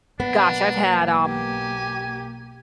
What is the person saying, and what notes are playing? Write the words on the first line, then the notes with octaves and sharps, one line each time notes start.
gosh, I've had, um
B1 A#3 B3 D4
G4 G#5